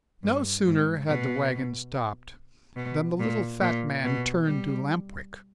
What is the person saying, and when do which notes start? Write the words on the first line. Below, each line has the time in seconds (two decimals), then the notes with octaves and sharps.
No sooner had the wagon stopped than the little fat man turned to Lamp-Wick.
0.23 G2
0.65 G#2
1.07 B2
2.76 B2
3.20 A#2
3.61 A#2
4.04 B2
4.45 G3